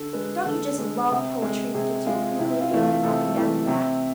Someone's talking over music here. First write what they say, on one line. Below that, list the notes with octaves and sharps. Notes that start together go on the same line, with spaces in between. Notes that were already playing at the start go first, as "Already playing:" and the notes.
Don't you just love poetry that gives you a crinkly feeling up and down your back?
Already playing: D3 A4
G#3 B4
D3 A4
G#3
C3
G#3
C3 G#4
G#3 F4
C3 E4
F4
E3 A3
F4
C3 A4
E3 A3
C3